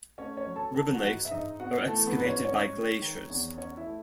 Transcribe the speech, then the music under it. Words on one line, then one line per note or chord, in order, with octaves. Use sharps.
Ribbon lakes are excavated by glaciers.
A3 C#4 C#5
C#4 C#5
F#3
A4 A5
D#3 A4 A5
F#4 F#5
G#2
E5
G#2 D#4 D#5
B3 F#4 F#5
E3 A3 A4
B3 B4
G#2
C#4 C#5
C#4 C#5
G#3
D#3
E2
C#4 C#5
E4 E5
A3